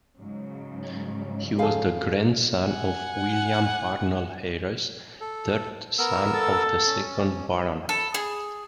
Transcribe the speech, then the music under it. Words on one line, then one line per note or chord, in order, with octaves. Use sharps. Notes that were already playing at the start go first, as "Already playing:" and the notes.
He was grandson of William Parnell-Hayres, third son of the second Baronet.
G#2 C#3 F#3
D2 F3 G#4 A4 F5
F#5 G#5
A4
B3 A#4 E6
A4
C#4
A4
G#4